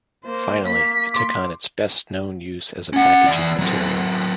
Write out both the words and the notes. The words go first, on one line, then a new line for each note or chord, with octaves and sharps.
Finally, it took on its best-known use as a packaging material.
A#3 C5
A#3 B6
C6 D6
C#4 F#5
E3 D5
F#3 C4